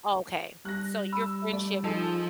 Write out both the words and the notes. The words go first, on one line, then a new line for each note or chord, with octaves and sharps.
Oh, okay. So, your friendship
G3 F#6 A#6
B5 E6
A3 D5
F3 D#4 G#4 A4